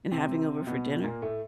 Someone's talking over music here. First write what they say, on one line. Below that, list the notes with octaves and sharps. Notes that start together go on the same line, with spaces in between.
and having over for dinner?
C3 C4
B2 B3
A#2 A#3
A2 A3